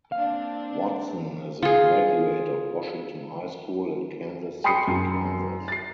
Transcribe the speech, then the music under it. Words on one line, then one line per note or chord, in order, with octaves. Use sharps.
Watson is a graduate of Washington High School in Kansas City, Kansas.
A#3 C4 D4 F5
F4 G#4
G5 B5 C6 D#6 C7 C#7
F#2
A6 C7